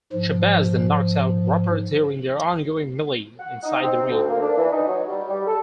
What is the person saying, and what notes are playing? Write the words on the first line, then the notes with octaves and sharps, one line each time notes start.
Shabazz then knocks out Roper during their ongoing melee inside the ring.
G#2 F3
F#5
D#4
C4
D2
A#3
D4
E3
D#4
F#3
G3
G3
A4